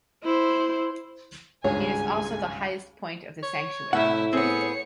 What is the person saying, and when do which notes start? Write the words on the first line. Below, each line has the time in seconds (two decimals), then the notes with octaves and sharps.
It is also the highest point of the sanctuary.
0.23 E4 C5
1.64 G#1 C#2 G2 G#4 C#5 G#5
3.43 C#5
3.93 C2 A2 A3 E4 E5 F#5
4.33 B3 C4 G#4 C#5 C#7